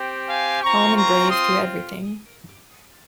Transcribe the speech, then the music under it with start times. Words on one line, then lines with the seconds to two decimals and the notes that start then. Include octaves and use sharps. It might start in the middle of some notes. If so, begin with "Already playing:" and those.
Calm and brave through everything.
Already playing: C4 G4
0.28 F5 G#5
0.62 C4 F4 A#5 C#6
0.96 A#5 C#6
1.30 C6 D#6